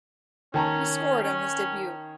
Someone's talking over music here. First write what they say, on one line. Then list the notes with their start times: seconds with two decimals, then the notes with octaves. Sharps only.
He scored on his debut.
0.54 D#3 C#4 A5 A#5
1.23 C#4